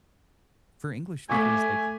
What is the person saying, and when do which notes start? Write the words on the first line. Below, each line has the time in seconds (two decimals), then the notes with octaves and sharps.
for English speakers, like,
1.30 A3 G#5 C#6 D6 B6